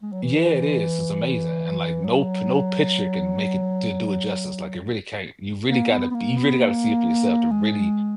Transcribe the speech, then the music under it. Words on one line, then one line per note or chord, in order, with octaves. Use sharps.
Yeah, it is, it's amazing, and like, no p no picture can make it to do it justice, like, it really can't, you really gotta be you really gotta see it for yourself to really
G#3
F#3
E3
F#3
A#3
B3
B3
A#3
B3
A#3
G#3